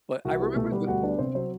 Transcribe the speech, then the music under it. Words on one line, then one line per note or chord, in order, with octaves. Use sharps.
But I remember the
C2 F#4
B3 G4
B2 A3 A4
G3 B3 B4
D2 F#4 F#5
B3 D4 D5
C3 C4 C5
F#3 C4 C5